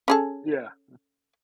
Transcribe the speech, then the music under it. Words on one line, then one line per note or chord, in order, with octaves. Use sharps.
Yeah, h
C#4 G#4 A4